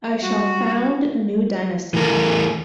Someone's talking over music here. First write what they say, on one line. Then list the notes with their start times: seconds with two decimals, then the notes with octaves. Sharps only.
I shall found a new dynasty.
0.22 G3 F#4
1.94 E3 A3 A#4